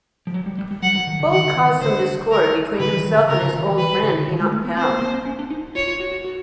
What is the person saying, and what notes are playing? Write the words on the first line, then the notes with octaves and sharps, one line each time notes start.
Both caused some discord between himself and his old friend Enoch Powell.
F3
F#3
G3
G3
G3
F#3 F#5
F#3
D#3
D3
D#3 F#5
D3
D#3
D#3
D3 C5
A#4
D3 B4
E3
D#3
D3
C#3 A#4
C#3
D#3
E3
E3 B4
D3
D#3
D3
D#3
G#3
A3
B3
C4 C5
A#3
A#3
C4
C#4
D4
D#4
F4 C#5
F4
F#4
F#4
F#4